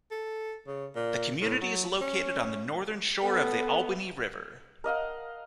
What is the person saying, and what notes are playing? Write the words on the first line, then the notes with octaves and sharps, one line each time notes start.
The community is located on the northern shore of the Albany River.
A4
C#3
A#2
A2
F#3
C#4
B3 A4
A#4 D#5 F5 F#5